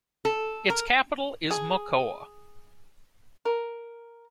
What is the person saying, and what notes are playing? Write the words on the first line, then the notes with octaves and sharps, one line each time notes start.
Its capital is Mocoa.
A4
A#4
G#4
A#4